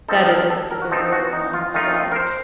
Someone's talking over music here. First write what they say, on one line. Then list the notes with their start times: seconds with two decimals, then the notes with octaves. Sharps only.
That is. That's a very, very long flight.
0.09 F3 C4 D#4 A4
0.29 A#4
0.50 A4
0.71 A#4
0.82 F#4
0.91 F3 C4 D#4 A4
1.12 F#4
1.33 D#4
1.53 F4
1.74 D#3 A3 D#4 F4
2.12 A#4
2.16 C5